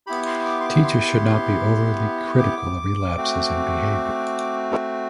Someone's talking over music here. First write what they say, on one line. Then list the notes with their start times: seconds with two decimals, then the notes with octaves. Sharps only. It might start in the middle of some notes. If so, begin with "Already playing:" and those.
Teachers should not be overly critical of relapses in behaviour.
0.07 B3 E4 G4 B5
0.26 C6
0.45 D6
0.60 C6
0.65 D6
0.84 C6
2.39 D6
3.17 A3 C4 F#4